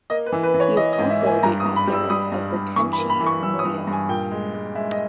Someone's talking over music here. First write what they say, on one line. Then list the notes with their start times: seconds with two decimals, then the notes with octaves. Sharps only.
He is also the author of the Tenchi Muyo!
0.10 A#3 D#5
0.26 B4
0.32 E3
0.43 B4
0.54 E3
0.60 C#5
0.76 E3 D#5
0.93 D#5
0.99 G#2
1.10 E5
1.21 A#3
1.26 G#5
1.43 G2 A#5
1.60 D#6
1.65 G2
1.76 B5
1.88 G3
1.93 E6
2.10 G3 D#6
2.32 G2
2.54 G2
2.76 E3 C#6
2.93 B5
2.98 A#3
3.10 B5
3.20 E3
3.26 C#6
3.42 E3 E6
3.59 D#6
3.65 G2
3.87 G2
3.93 G#5
4.09 A#2 G5
4.31 G#3
4.53 G#3
4.75 G#3 E5
4.92 D#5